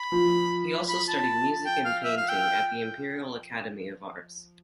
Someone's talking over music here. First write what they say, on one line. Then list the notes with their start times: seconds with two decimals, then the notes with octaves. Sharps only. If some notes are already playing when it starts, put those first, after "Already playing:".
He also studied music and painting at the Imperial Academy of Arts.
Already playing: B5
0.12 F3
0.89 B5
1.08 A5
1.66 G5
1.85 F5
2.04 E5
2.17 F5
2.29 G5